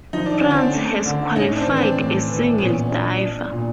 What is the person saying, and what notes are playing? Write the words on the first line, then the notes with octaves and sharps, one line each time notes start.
France has qualified a single diver.
F3 D#4
D4
C#4
D3
C4 D4
A3
D3
A2 C#4 D#4
C4 D4
E3
C4 D4
A2
E3
A#2 B3 C#4
D4
D4
A#2